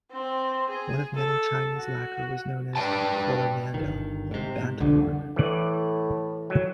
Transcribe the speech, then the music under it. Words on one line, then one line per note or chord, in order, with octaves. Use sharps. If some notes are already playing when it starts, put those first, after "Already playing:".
One of many Chinese lacquer was known as "Coromandel" or "bantomwork".
C4
G#4
A4
F#4
B4 D5 E5 G5 A5
G1 D#3
G#2 C3
C2 F2 D3
A2 E3 D5
F#3